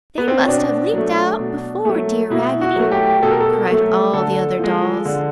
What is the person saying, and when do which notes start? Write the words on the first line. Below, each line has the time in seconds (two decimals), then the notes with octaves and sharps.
"They must have leaked out before, dear Raggedy!" cried all the other dolls.
0.18 B3
0.28 C4
0.38 C#4
0.48 B2 D4
0.93 F#3 A3
1.39 B2
1.85 F#3 A3
2.30 B2 E4
2.61 F#4
2.76 F#3 A3
2.92 G4
3.22 B2 A4
3.31 A#4
3.40 A4
3.69 F#3 A3
4.13 D3 A4
4.59 F3 G#3
5.05 D3